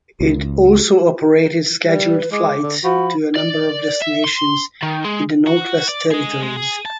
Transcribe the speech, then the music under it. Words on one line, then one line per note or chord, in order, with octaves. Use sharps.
It also operated scheduled flights to a number of destinations in the Northwest Territories.
C#2
G3
B4
G#3 D6
D3
F3 F#4 B5
D5
E5
C6
D#3
G#3
F#4
D5
G#4 D#5
G#3
G#4
A5